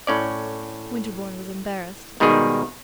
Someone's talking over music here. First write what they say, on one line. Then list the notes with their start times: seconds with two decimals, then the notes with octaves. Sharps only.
Winterbourne was embarrassed.
0.07 A2 C#4 D5
2.20 G#2 B2 D#3 G3 G#4 D#5